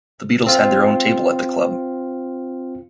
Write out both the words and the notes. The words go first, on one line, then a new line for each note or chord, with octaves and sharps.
The Beatles had their own table at the club.
C4 F4